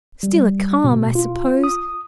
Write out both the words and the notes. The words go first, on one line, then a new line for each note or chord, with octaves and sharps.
Still a calm, I suppose?
G3
B2
F4
D#6